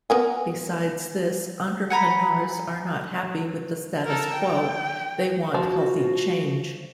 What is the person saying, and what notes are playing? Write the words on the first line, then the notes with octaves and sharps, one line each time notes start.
Besides this, entrepreneurs are not happy with the status quo; they want healthy change.
B3 A#4 G#5
F#5 G#5 A#5 B5
A4 A#4
G5
F3 F#4